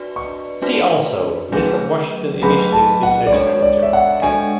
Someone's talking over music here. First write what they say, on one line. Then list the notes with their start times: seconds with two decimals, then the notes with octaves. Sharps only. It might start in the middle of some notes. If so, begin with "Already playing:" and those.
See also List of Washington initiatives to the legislature.
Already playing: D4 F#4 B4 D5
0.16 C#6
0.62 A3 D4 F#4 B4 D5
1.52 F#3 A3 C#4 G#4 B4
2.42 F#3 A3 C#4 G#4 B4 B5
2.72 A5
3.03 F#5
3.27 D5
3.32 G#3 D4 A4 C#5
3.62 D5
3.83 E5
3.93 F#5
4.22 G#3 D4 A4 G#5